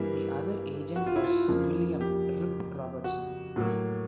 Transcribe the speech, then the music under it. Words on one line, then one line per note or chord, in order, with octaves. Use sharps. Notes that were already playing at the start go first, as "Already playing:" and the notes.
The other agent was William "Rip" Robertson.
Already playing: G2 E3 G3 A#3 E4
F#4
F4
E4
F4
F2 C#3 F3 A#3
G4
F#4
A2 F#3 A#3